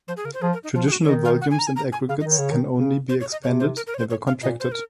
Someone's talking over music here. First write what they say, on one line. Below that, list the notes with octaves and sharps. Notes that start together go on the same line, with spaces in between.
Traditional volumes and aggregates can only be expanded, never contracted.
F3 C5
G#4
C#3 A#4
C5
F3 G#4
A#4
D#4
F3 F4
G#4
F#4
C#5
D#3 D#5
F5
F#5
G#5
A#5
G#5
A#5
G#5
C#3 F5
D#5
D#3
C#5
C#3
D#3
C#3
C5
C#5
D#5
C3 C#5
C5
A#4
A#4
C#5
C5
C#5
F5
A#2 D#5
C5
A#4